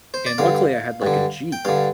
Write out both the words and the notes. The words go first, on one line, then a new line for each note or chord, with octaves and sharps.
and luckily I had, like, a Jeep
C5
D5
G2 D3 F5
G2 D3
G5
G2 D3 F5